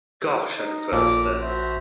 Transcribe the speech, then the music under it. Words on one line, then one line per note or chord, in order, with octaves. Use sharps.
Gosh, I'm thirsty.
D#4
A#1 A#2 A4 D6
F#4 C5 E5